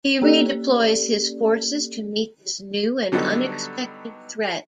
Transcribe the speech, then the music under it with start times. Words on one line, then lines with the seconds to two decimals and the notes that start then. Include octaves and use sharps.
He redeploys his forces to meet this new and unexpected threat.
0.22 A#3 C#4 G4 A4 D5
3.12 D3 F#3 G3 B3 D#4 A4